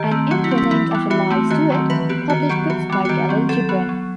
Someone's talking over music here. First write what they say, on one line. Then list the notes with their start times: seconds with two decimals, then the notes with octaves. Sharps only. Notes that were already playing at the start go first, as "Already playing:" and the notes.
An imprint named after Lyle Stuart published books by Kahlil Gibran.
Already playing: D#3 G4
0.11 A3 C4
0.31 F#3 F#4
0.44 E4
0.51 C4
0.58 E4
0.71 E3 E4
0.91 G3 B3
1.10 E3 F#4
1.30 A3 C4
1.50 D#3 F#4
1.70 F#3 A3 C4
1.90 E3 B4
2.09 B3 G4
2.30 D#3 F#4
2.49 F#3 B3 G4
2.70 E3 F#4
2.90 G3 B3
3.05 F#4
3.09 D#3 G4
3.29 F#3 C4
3.49 F#3 A4
3.69 B3
3.89 F#3